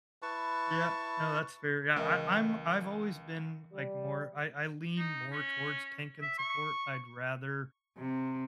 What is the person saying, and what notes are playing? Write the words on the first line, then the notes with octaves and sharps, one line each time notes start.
Yeah no, that's fair, yeah, I I I'm I've always been, like, more I I lean more towards tank and support; I'd rather,
E4 B4 A5 C#6
C#2 E3 A#4 D#5
G3
D#4
C#4
E5
C#6
C3